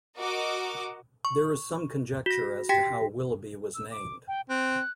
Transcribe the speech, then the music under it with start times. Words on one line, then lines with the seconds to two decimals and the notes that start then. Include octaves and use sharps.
There is some conjecture as to how Willoughby was named.
0.18 F#4 A#4 D#5 D6
1.25 C#6
2.26 F#4 A#6
2.69 G4 G5 A#6 B6
3.74 E6
3.91 D6
4.28 G5
4.49 C4 F#6